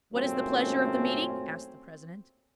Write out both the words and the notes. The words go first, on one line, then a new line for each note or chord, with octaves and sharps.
"What is the pleasure of the meeting?" asked the president.
G#1 F#2 A#2 A3 C4 C#4